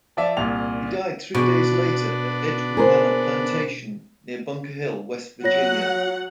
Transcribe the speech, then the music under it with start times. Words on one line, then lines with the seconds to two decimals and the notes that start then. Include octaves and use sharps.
He died three days later at Edgewood Manor plantation near Bunker Hill, West Virginia.
0.17 F3 D5 E5
0.37 C2 A#2 F7
1.34 B2 B3 D4
2.77 G#4 A#4 C5
5.44 F#3 F4 C#5 F#5 A#6